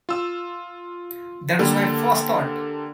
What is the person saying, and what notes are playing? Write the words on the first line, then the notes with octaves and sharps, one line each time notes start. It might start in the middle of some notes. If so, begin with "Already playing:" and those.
That was my first thought.
F4 E6
D3 A#3 G4 A4